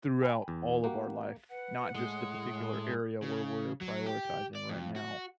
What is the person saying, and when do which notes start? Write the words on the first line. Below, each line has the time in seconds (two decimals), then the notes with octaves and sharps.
throughout all of our life, not just the particular area where we're prioritizing right now,
0.20 G5 G#5 B5
0.48 E2
0.84 A#3 F#4 G4 F#5
1.50 B4 F#5
1.95 A2 G#3 D#6
3.22 C#3
3.81 F#3
4.06 G4
4.55 D5
4.69 F2
4.96 F#4